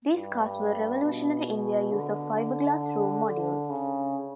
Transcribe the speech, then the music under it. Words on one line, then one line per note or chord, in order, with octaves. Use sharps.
These cars were revolutionary in their use of fiberglass room modules.
G2
B2
D3
D3
C#3